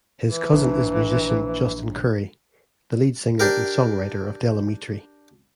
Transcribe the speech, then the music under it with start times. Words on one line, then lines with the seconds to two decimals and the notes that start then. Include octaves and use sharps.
His cousin is musician Justin Currie, the lead singer and songwriter of Del Amitri.
0.28 E3
0.53 A#1 D4
3.40 D4 G4 A#4